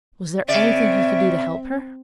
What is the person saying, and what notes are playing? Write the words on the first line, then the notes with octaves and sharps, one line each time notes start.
Was there anything he could do to help her?
C#3 C4 D5 E5